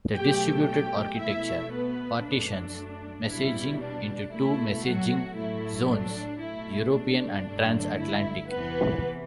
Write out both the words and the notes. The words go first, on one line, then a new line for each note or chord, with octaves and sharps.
The distributed architecture partitions messaging into two messaging zones: European and Trans-Atlantic.
B2 F#3 A3 G4 G5
G4 G5
B2 A3 E4 E5
B3 B4
F#2 F#3 A3 D4
E2 B2 G3 E4
D4
B2 A3 E4
F#3 F#4
A2 F#3 A3 E4
D4
B2 A3 E4
D4
G2 D3 F#3 A3
E4
E2 C3 E3 B3 B4